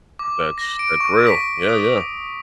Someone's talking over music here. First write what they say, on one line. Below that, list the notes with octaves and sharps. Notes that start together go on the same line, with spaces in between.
That's that's real. Yeah, yeah.
D6
A#6
D7
C#6
B6
D#6